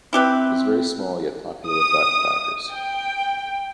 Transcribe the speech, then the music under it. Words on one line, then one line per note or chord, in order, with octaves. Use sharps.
It is very small, yet popular with backpackers.
C4 E4 G4 B4
D#6
G5